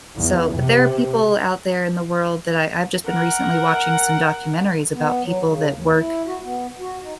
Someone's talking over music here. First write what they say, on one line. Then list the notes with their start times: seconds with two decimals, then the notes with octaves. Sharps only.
so But there are people out there in the world that I I've just been recently watching some documentaries about people that work,
0.16 E2
0.56 C3
3.07 A#4 F#5
4.94 B3
5.22 F#3
5.47 C#3
5.71 D#2
5.95 E4
6.27 F#4
6.44 B3
6.79 F#4
7.03 D#4